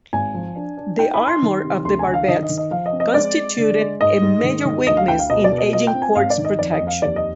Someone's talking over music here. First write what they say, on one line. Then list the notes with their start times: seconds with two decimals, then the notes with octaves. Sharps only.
The armour of the barbettes constituted a major weakness in "Agincourt"s protection.
0.13 G#1 G#5
0.34 F3
0.56 D4
0.77 D4
0.99 D#4 G5
1.14 B5
1.21 D#4
1.27 C6
1.42 D#3
1.64 C3
1.85 D2 C6
1.99 G#5
2.07 D3
2.14 F5
2.28 D#3 D#5
2.43 D#5
2.49 D#3
2.57 D#5
2.71 F3 F5
2.86 D#5
2.92 C4
3.00 D#5
3.14 G#3 D5
3.36 G#3
3.57 D3
3.79 G#3
4.01 G#2 D#5
4.22 G#2
4.44 D#3
4.65 D#3
4.86 D2 D#5
4.97 F5
5.08 D2 G5
5.19 F5
5.30 B2 D#5
5.44 D5
5.52 B2
5.58 D#5
5.73 F4 D#5
5.87 G5
5.94 C4
6.02 G#5
6.16 G#1 F5
6.30 D5
6.37 D#3
6.45 D#5
6.59 F2 D5
6.73 D#5
6.81 F2
6.87 F5
7.02 D#2 D5
7.16 D#5